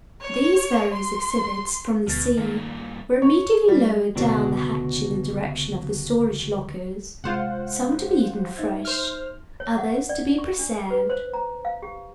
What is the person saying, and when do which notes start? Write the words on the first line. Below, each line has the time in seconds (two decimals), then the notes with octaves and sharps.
These various exhibits from the sea were immediately lowered down the hatch in the direction of the storage lockers, some to be eaten fresh, others to be preserved.
0.21 C#5
0.94 C6
2.07 D2 B2 F6 A6
2.37 G2 A#2 D#3 A#3
3.22 C#5
3.68 G3
4.16 C#2 B2 D3 D4 F#4
7.24 C3 G#3 F4 C5 F#5 F6
8.57 D#4 E5 G#6
8.85 C5 F6
9.60 C#5
9.78 F#5
10.09 D5
10.38 C#6
10.59 D4
10.91 B4
11.10 C5
11.34 A#5
11.65 F5
11.82 G4